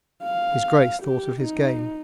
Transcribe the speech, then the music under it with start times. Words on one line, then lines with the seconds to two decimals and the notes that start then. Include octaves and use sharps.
His Grace thought of his game.
0.24 F5
1.03 G4
1.42 D#4